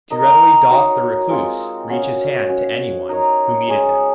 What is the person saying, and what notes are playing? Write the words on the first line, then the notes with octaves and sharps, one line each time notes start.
Too readily doth the recluse reach his hand to any one who meeteth him.
D#4 A#4 D#5
D#4 F#4 C#5
G#3 C4 F4
C#4 F#4 C#5 F5
C#4 F#4 C#5
D#4 A#4 C#5
G#3 C#4 G#4